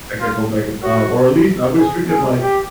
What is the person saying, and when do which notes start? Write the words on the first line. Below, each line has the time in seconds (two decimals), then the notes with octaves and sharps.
I could go back in time, or at least I wish we could, like
0.21 F4
0.83 F#4
1.77 G#4
2.09 G#4
2.40 G4